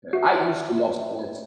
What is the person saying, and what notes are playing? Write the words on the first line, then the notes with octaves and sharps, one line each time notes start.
Yeah, I used to love sports.
F#4 E5